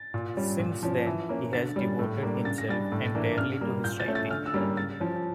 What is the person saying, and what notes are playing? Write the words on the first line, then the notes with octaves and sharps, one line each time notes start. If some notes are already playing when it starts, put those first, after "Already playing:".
Since then, he has devoted himself entirely to his writing.
Already playing: A6
A#2
G3 C#4
A#2
F3 C#4
E3
A#3 C#4
D3 A6
G3 C#4
A2
G3 A#3 D4
C#3 A6
A#6
G3 D4 A6
A2
E3 A#3 D4
C#3 F6
G3 A#3
A#2 G6
A6
A3 C#4
A6
D3 F6
E6
G3 A#3 C#4
C#3 A6
F3 C#4